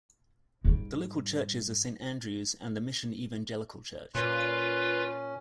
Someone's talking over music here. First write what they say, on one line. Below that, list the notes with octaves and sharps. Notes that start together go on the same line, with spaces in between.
The local churches are Saint Andrews and the Mission Evangelical Church.
G#2 G3
A#2 C#4 F4 B4